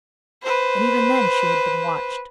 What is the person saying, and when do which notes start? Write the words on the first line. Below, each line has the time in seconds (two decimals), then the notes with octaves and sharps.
And even then she had been watched.
0.43 B4 C5